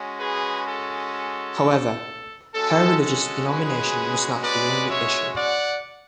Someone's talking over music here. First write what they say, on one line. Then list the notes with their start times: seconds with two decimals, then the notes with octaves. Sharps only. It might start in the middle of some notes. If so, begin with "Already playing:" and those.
However, her religious denomination was not the only issue.
Already playing: G#3 C#4 F#4
0.19 G#4 B4
0.67 A4
1.14 A4
2.54 G#3 C#4 F#4 A4
3.01 A4
3.48 G#4 B4
4.43 B4 D5
4.89 C#5 E5
5.36 D5 F#5